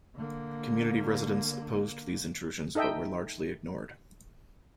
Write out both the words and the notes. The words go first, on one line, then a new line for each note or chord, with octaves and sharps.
Community residents opposed these intrusions but were largely ignored.
D3 A#3
D#4 A4 D#5 E5 G5